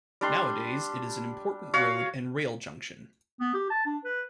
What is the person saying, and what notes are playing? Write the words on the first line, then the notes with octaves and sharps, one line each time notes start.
Nowadays it is an important road and rail junction.
G3 D4 C6
F#4 C#5 F5
B3
G4
A5
D4
B4